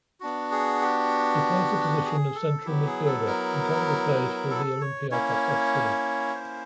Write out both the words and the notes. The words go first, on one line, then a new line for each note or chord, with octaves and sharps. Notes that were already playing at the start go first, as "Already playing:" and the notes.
He plays the position of central midfielder and currently plays for the Olympiacos FC.
B3 D4 F#4
G#4
G4
G#4
A4
F#3 B3 E4 G4
G#4
A4
A#4
A4
C#5
A#3 C#4 E4 C#5
C5